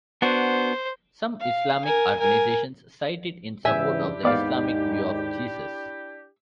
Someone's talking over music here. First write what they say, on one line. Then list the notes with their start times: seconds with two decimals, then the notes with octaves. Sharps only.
Some Islamic organizations cite it in support of the Islamic view of Jesus.
0.22 B3 D4 F#4 C5
1.40 F5
1.84 A#4 G#5
2.19 A#4 G#5
3.65 G#2 C#3 E3 D4 E4 G4 E5 G#5
4.23 D#2 G#2 B3 D#4 D5 F5